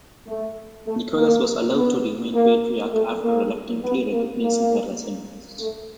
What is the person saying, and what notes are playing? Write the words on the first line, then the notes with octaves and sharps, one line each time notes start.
Nicholas was allowed to remain patriarch after reluctantly recognizing her as empress.
A3
A3
A#3
B3
A#3
A3
A#3
B3
A#3
A#3
A3